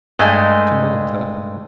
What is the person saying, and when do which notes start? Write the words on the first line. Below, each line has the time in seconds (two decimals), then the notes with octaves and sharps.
"To Malta?"
0.19 G2 G#3 A3 C5 D#5 G#5